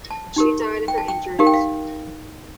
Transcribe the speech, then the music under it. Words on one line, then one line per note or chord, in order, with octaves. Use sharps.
She died of her injuries.
A5
D#4 G4 A#4
G5
A5
G5
D#4 G4 A#4 F5
G5
F5